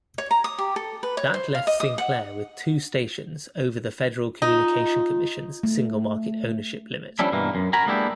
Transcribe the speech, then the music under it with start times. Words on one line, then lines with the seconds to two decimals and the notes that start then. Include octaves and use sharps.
That left Sinclair with two stations over the Federal Communications Commission's single-market ownership limit.
0.18 C#5
0.31 A#5
0.44 D#6
0.58 G4
0.76 A4
1.03 B4
1.17 C#5
1.34 C5
1.55 F5
1.67 D#5
1.80 D#6
1.98 F#5
4.42 D#4 F4
5.63 A3
7.19 F3 G3 C#4 D4 E4
7.32 G2 B2 E3 A#3
7.55 F#2
7.73 F#4 A#4 G#5 A#5 B5
7.86 G#3 A#3 B3 D4 E4 G4